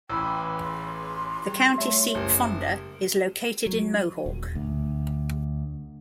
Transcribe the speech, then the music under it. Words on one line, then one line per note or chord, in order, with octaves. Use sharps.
The county seat, Fonda, is located in Mohawk.
A1 E3 G5 B5 E6
C6
G3 G#4
G3 A3 C#5 E5
F#1 G4 A#4
F#3
D#1
D2